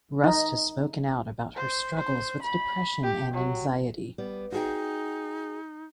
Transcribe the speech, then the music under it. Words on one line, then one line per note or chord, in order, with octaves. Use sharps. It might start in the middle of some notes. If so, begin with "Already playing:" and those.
Rust has spoken out about her struggles with depression and anxiety.
D#4
C5
C5
B5
G4
F#3
G3 B3 D5
D#4 F#4 G#4 G5